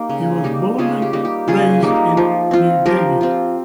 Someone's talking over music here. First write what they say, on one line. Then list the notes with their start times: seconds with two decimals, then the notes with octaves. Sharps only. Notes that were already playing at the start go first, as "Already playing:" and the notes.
He was born and raised in New Delhi.
Already playing: A#3 D#4 G4
0.09 C#3
0.44 G3 A#3 D#4
0.78 C#3 F4 G#4
1.02 G4
1.13 G3 A#3 D#4
1.25 G4
1.48 C#3 F4 G#4
1.82 G3 A#3 D#4
2.17 F3
2.51 C4 F4
2.86 F3 G4 A#4
3.21 C4 F4